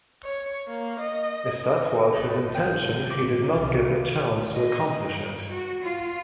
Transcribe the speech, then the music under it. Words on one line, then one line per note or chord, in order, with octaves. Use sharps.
If that was his intention, he did not get the chance to accomplish it.
C#5
A#3
D#5
G#1 D#4 A4 B4
G5
D6
C2 D#3 F4
D#5
G2
F#4
F4